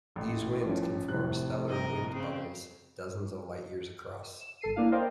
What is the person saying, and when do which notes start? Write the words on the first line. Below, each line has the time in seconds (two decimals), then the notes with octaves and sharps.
These winds can form stellar wind bubbles dozens of light years across.
0.16 A1 A2
0.66 F3 C#4
1.08 F1 A2 C3 F#6
1.70 A#4 D#5
2.12 C#3 C4
4.41 E7
4.61 G1 A4 C7 D#7
4.76 A#3 D4 E4 F5
4.92 A#4 C5 D5 D#5 F5 G5